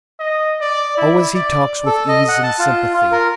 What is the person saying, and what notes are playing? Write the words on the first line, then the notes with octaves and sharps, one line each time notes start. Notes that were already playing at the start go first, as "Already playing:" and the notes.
Always he talks with ease and sympathy.
D#5
D5
E4
D5
A4
D#5
F#5
A5
F4
F4
A#4